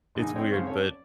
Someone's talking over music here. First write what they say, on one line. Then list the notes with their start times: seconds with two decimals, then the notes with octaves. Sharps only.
It's weird, but,
0.15 A#1 D3 D#4 G#5
0.36 C4 D4 C#5 D#5 G5
0.52 F2 G#2 C#3 C5 F5 C#6
0.67 C#4 A4 C#5
0.80 D5